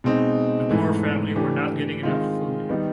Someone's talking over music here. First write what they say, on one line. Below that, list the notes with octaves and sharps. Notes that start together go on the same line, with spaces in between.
The poor family were not getting enough food.
B2 G#3 C4 D#4
G#2 E3 A3
E3 A3 D4 G4
D#3 G#3 C4 F4
D#3 G3 B3 D#4